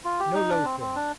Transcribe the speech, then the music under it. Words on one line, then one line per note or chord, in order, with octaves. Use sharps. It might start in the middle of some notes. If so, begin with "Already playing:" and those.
No loafing!
F4
G4
D#4
D4
C4
C4
D4